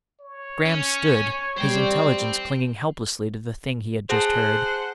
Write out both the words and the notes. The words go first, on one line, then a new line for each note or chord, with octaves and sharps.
Graham stood, his intelligence clinging helplessly to the thing he had just heard.
C#5
C#4
G3 C5 G5
G#4 C5 F#5 A5